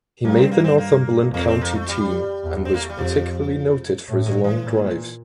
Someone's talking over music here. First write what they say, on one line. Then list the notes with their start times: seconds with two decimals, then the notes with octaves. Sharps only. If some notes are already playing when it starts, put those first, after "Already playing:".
He made the Northumberland county team and was particularly noted for his long drives.
0.25 G2 A#3
0.38 C4
0.51 A#3
0.64 C4
0.78 A#3
1.33 F2 A#3
1.48 C4
1.61 A#3
1.75 A3
1.88 G3
2.43 E2
2.65 C4
2.74 A#3
2.82 A3
2.90 G3
2.98 F2 F3
4.08 A2
4.26 D3
4.44 E3
4.62 A#2